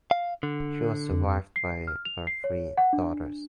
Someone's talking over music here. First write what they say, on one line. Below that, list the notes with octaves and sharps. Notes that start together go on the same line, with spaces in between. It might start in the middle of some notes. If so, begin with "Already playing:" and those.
She was survived by her Three daughters.
F5
D3
F2
C7
F6
F7
C7
C#5
F#5
D4